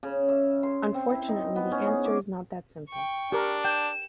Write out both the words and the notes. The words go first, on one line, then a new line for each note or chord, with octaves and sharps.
Unfortunately, the answer is not that simple.
C#3
E5
C6
C4
E4
D#4
B3
C#4
G#4
D6
G5 C#6
D4 G4 A#4
G5 E7